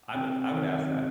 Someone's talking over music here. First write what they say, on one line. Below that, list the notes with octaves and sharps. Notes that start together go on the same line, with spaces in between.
I would th I would ask that.
C3 G5
D#3
C3